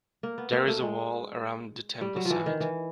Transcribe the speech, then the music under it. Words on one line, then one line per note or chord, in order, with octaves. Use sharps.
There is a wall around the temple site.
A#3
B3
A#3
A3
G#3
G3
F#3
F3
E3
D#3
E3